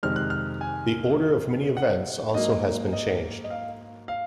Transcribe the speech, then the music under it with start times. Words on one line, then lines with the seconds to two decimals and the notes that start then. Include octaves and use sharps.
The order of many events also has been changed.
0.03 F2 C3 D#3 G#3 F6
0.16 F#6
0.30 F6
0.61 G#5
1.77 F#5
2.34 G#2 F#3 A#3 D#5
2.93 D#5
3.44 D#5
3.50 F5
4.08 F5